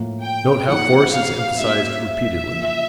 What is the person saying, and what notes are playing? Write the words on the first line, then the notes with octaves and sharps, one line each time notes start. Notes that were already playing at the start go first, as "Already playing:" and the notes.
Note how force is emphasized repeatedly.
Already playing: A2 F3 A#3
G5
F3 A#3 D#4 F#5
F5
G3 A#3 C#4 F#4 E5
E5
C#3 F3 A#3